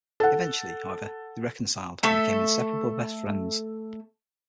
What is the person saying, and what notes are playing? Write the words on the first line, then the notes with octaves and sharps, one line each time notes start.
Eventually, however, they reconciled and became inseparable best friends.
A4 F#5
A3 A4 E5